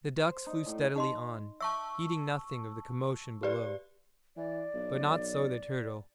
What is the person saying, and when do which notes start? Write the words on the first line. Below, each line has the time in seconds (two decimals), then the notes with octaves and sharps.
The ducks flew steadily on, heeding nothing of the commotion below; but not so the turtle.
0.18 C5
0.46 D#4
0.66 A2
0.96 D#4 D#5 C6
1.60 E5 A5 C#6 E6
3.43 G4 B4 C5 D5
4.37 E3 D5
4.74 B1